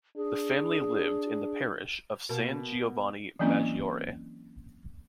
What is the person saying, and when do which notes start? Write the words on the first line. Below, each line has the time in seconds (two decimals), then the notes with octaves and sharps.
The family lived in the parish of San Giovanni Maggiore.
0.16 D4 G#4
2.29 B2 A#3
3.39 E3 F#3 A#3 C4 C#4 E4